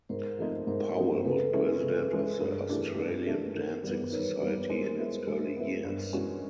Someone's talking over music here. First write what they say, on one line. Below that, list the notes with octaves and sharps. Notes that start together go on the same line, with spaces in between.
Powell was president of the Australian Dancing Society in its early years.
G#2 A#4 C5
F3 A3 C4 D#4
G#2 A#4 C5
F3 A3 C4 D#4
C#3 A4 B4
E3 G#3 C#4 E4
C#3
E3 G#3 C#4 E4
G2 G#4 A#4
E3 A3 D4 G4
G2
E3 A3 D4 G4
D#3 A#4 C5
G3 B3
D#3 B4 C#5
G3 B3
G#3 A#4 C5
B3 E4
G#3
B3 E4
G2
E3 G#3 C#4 F#4